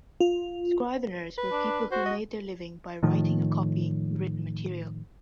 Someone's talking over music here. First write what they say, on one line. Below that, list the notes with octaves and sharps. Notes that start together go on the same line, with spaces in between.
Scriveners were people who made their living by writing or copying written material.
F4
B4
D4
F#4 C5
D#5
A2 D#3 F3